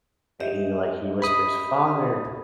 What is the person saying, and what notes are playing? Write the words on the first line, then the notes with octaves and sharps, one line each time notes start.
and he, like, he whispers, "Father,"
G4 D#5 E5
B5 D#6